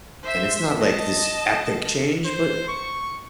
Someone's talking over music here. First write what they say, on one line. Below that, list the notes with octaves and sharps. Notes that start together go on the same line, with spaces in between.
and it's not like this epic change, but
C5 E5
D#5 A5
C5
C#6